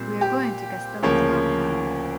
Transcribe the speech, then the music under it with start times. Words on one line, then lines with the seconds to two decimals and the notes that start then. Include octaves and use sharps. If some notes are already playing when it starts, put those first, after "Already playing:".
We are going to Castelló de la Plana.
Already playing: A#2 G3 C4 C5
0.21 G4
1.02 D2 C#3 F3 A#3 C#5